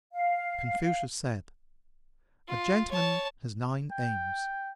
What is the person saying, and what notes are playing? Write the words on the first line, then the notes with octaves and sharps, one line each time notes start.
Confucius said, A gentleman has nine aims.
F5
F4
C#5 A5
G5